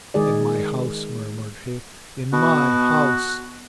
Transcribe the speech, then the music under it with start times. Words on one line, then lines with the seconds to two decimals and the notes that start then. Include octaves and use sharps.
"In my house," murmured he, "in my house!"
0.14 D#3 G#3 G#4 D5
2.33 B2 F#4